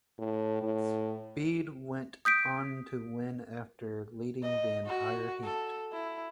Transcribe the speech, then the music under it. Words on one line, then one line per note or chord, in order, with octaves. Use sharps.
Speed went on to win after leading the entire heat.
A2
A2
D#6 G6 B6 D7
D#5
F#4
A4
E4